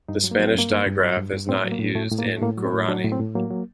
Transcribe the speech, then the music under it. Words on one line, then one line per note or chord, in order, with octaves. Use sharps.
The Spanish digraph is not used in Guarani.
G2 D#4
F#3
A#3
F#3
C4
G2 A#3
G2
G2
F#3
G2
G2
A2 C4
F#3
A#3
A2
A2 A3
A2
A#3
A2
A3
A2 A#3
F#3
C4
A2
F#3 D4
A2
C4
A2
F#3 A#3
F#3